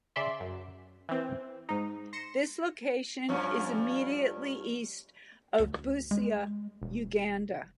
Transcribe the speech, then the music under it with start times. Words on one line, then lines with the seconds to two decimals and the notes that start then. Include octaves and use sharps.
This location is immediately east of Busia, Uganda.
0.16 C#3 D5 E5 C6
0.40 F#2
1.09 E3 C4
1.69 G#2 D#4
2.13 C6 A#6 C#7 E7
3.29 G2 F3 C#4
5.60 D2
6.11 G#3
6.82 E1